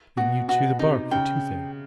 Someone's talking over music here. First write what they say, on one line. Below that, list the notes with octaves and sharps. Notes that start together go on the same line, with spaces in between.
"And you chew the bark for toothache."
B2 F#4
B2 F#4
C3 D#4
C#3 G5